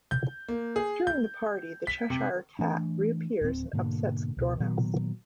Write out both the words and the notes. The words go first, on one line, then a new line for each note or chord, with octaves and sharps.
During the party, the Cheshire Cat reappears and upsets the Dormouse.
G6
A#3
G#4
G6
B6
C3
E3 A3 D4
D1 C4
G#2 B2 D3 A#3
C#2 B2
A#2 D#3 F#3 B3